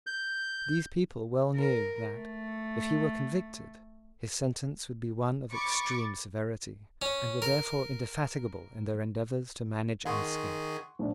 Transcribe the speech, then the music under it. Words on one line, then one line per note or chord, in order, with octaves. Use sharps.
These people well knew that, if he were convicted, his sentence would be one of extreme severity, and were therefore indefatigable in their endeavours to manage an escape.
G6
A#4
A3
B5 C#6 D6 A6 C#7
C#4
A#4
D#3 G#4 F#5 C6 C#6
A#1 A3 D4